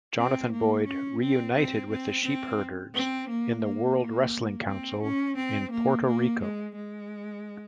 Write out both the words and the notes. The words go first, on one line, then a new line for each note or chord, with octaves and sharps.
Jonathan Boyd reunited with the Sheepherders in the World Wrestling Council in Puerto Rico.
C4
A#3
C#4
C4
C4
C4
C4
C4
A#3
A#3
C4
C#4
C4
A#3
A#3
G#3
G#3